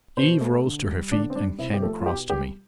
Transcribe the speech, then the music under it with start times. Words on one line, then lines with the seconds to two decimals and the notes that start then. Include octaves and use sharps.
Eve rose to her feet and came across to me.
0.17 B2 C5
0.41 A3
0.64 D3
0.88 G3
1.11 D3 D4
1.30 C4
1.35 G3 D4
1.58 C3 E4
1.74 G4
1.82 F3 A3 A4
2.00 F4
2.06 B2 G4
2.30 G3 G4